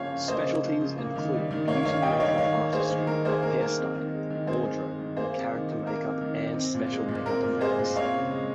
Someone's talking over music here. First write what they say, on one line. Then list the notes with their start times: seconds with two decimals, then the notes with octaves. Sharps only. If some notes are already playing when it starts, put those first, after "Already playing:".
Specialties include beauty make-up artistry, hairstyling, wardrobe, character make-up and special make-up effects.
Already playing: C#3 F3 A#3 C#5 F5 G#5
0.11 C#3
0.28 A#3 C5 D#5
0.46 C#3
0.64 F3
0.80 C#3
0.98 A#3
1.16 D#3
1.34 G3
1.51 D#3
1.68 A#3 C#5 F5
1.85 D#3 C#5 F5
2.02 G3 D#5 G5
2.20 D#3 C#5 F5
2.38 D#3 C#5 F5
2.55 A#3
2.73 A#3 G#4 C5
2.90 D#3
3.07 D#3 A#4
3.25 A#3 G#4 C5
3.42 A#3 A#4
3.59 D#3 A#4
3.78 C4
3.95 D#3
4.13 G#3
4.30 D#3
4.47 C4 G#4 C5
4.64 D#3
4.83 G#3
4.99 D#3
5.16 A#3 G#4 C5
5.34 C3
5.51 D#3
5.69 C3
5.86 A#3 A#4
6.05 C3
6.21 D#3
6.39 C3
6.56 C4
6.74 A#2
6.92 G#3
7.08 A#2
7.26 C4 A#4
7.44 A#2
7.61 G#3 G#4 C5
7.79 A#2
7.96 C4 C#5 F5
8.14 C#3
8.31 G#3